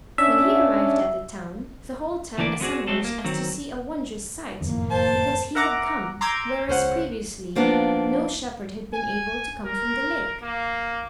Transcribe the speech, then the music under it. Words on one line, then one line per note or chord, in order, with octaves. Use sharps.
When he arrived at the town, the whole town assembled as to see a wondrous sight because he had come, whereas previously no shepherd had been able to come from the lake.
C#4 D4 E5
D2 E3 A#3 D4 E4 D5
B3 C4 F#4 G#4 D5
G#3 A3 C4 A4
A#3
D#3 F#3 C4
F#1 F2 A2 D#3 A#3
C5 A5
A#4 E5 F#5 A#5 D6
A#5 C6 D6 E6 G6 G#6
C#2 C#4 C5 F#5
F3 A#3 B3 D4 D#4
G#5
A#4
A#3